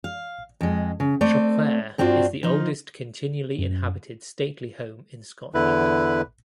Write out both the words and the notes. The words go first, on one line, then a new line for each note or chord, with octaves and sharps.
Traquair is the oldest continually inhabited stately home in Scotland.
F5
F2 G#3
C#3
A3 C4 D5
G2 C4 D4 F4 F#4
F3 D#4 F4
F#2
E2 D3 E4 B4